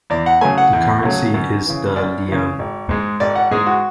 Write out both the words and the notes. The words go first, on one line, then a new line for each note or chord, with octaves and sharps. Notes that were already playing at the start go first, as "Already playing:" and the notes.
The currency is the leone.
E2 D5
F#5
C#3 F#3 A3 G#5
F#5
E2
C#3 F#3 A3
F#2
C#3 E3
F#2 D5
C#3 E3
G#1
G#2 G#3
G#1 D5
F#5
G#2 G#3 G#4
F#4